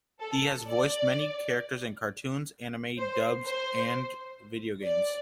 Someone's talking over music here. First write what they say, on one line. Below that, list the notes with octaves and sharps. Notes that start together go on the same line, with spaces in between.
He has voiced many characters in cartoons, anime dubs and video games.
A4
D5
C5
C5
D5